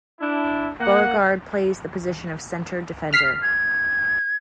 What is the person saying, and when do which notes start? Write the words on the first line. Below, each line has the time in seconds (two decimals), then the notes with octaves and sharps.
Beauregard plays the position of center defender.
0.20 D4 E4
0.80 A#3 F#5
3.13 F6 B6 C7
3.43 G#6